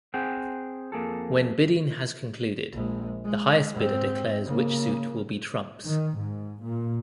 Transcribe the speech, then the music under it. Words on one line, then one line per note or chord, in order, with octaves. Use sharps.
When bidding has concluded the highest bidder declares which suit will be trumps.
C4 G#4 F#5 G5
F2 A#3 G#4 A4
A#1 G#3
G#3
G#2 C4
C#3 A#3
D#3
G#2
A#2